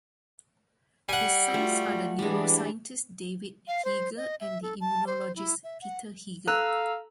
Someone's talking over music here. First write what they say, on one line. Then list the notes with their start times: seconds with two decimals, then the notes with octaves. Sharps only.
His sons are the neuroscientist David Heeger and the immunologist Peter Heeger.
1.09 G3 F#5 G#5
1.54 A3 F4 F#4
2.19 E3 G3 G#3 D4
3.68 F5
3.85 C5
4.17 D#5
4.40 E5
4.62 A4
4.81 A5
5.07 C5
5.36 E4
5.64 E5
5.82 F#5
6.48 A4 F5 A#5 E6 F#6